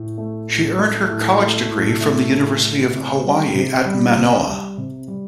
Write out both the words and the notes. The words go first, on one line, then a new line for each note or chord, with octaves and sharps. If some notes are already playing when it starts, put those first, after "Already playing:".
She earned her college degree from the University of Hawaii at Manoa.
Already playing: A2
A3
A2
A3
A2
A3
A2
A3
A2
A3
C3
G3
C3
G3
C3
G3
C3
G3